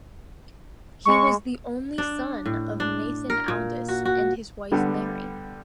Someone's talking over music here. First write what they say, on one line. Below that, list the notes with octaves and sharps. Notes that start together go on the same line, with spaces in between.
He was the only son of Nathan Aldis and his wife Mary.
G#3 C#6
D4
A2
D4
A#4
A#2
F#4
F#4
D3 G3 B3